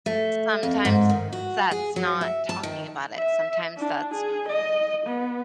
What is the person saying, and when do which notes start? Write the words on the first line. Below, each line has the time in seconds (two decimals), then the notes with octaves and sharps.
sometimes that's not talking about it. Sometimes that's
0.06 A3
0.63 F2
0.85 G#2
1.09 D#3
1.32 F#4
1.71 G#4
1.96 F#3
2.21 E5
2.49 A5
2.63 D#3
3.16 E5
3.77 D4
4.14 G#4
4.48 D#5
5.06 B3